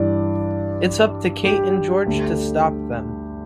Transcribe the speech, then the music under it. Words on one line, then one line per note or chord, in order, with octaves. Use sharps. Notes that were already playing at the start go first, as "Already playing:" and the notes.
It's up to Kate and George to stop them.
Already playing: G2 E3 D5
G4
D2 D3